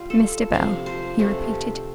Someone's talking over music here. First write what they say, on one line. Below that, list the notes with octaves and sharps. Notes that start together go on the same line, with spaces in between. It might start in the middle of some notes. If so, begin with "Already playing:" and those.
'Mr. Bell,' he repeated.
Already playing: G3 F4
A4
C3 F3 D4 F5
C5
C3 A3 D4